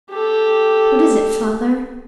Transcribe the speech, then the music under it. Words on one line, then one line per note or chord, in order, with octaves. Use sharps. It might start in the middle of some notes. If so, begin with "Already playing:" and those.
"What is it, father?"
G4 A4